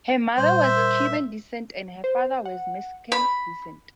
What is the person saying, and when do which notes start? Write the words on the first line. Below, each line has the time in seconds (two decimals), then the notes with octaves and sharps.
Her mother was Cuban descent and her father was Mexican descent.
0.37 A#2 G3 C5
0.63 E5
0.76 A#4 G#6
2.04 C5
2.45 F#5
3.12 B5